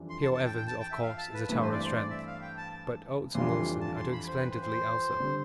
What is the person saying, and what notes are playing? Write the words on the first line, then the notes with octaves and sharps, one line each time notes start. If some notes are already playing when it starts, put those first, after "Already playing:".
P.O. Evans, of course, is a tower of strength, but Oates and Wilson are doing splendidly also.
Already playing: F2 E3 G3 D4 F4
C6
A5
A5
G5
G5
A5
G5
E5
F5
A5
B4
G2 E3 A3 C4 E4 B4
C5
D5
C5
D5
E5
F5
G5
A5
F2 E3 G3 D4 F4 C6
A5
C6
B5
C5
B4
C5
C5
D3 G3 C4